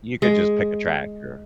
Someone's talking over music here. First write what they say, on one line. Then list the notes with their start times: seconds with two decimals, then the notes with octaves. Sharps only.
you could just pick a track or,
0.22 G#3